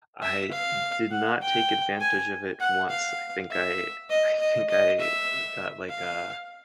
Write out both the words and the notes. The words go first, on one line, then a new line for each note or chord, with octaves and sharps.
I did not take advantage of it once. I think I I think I li got, like, a
E5
F5
F#5
G5
G#5
F#5
F5
E5
D#5
D#5
D#5
E5
F5